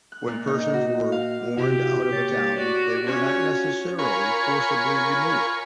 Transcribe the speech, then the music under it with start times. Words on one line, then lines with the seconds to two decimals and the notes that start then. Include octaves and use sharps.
When persons were warned out of a town, they were not necessarily forcibly removed.
0.12 F#6
0.28 A#2
0.47 D#4
0.74 F#4
1.12 F5
1.57 C3 E4 F#4 G4
2.13 A#3 C#5 A6
2.58 F#4 D5 D6
3.06 C#4 F4 F#4 C#5
3.99 F4 A#4 C#5 G#5 B5 C#6